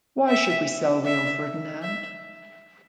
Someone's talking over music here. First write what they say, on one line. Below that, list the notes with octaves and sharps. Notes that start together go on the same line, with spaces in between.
Why should we sell Rio Ferdinand?
E5
E5
E5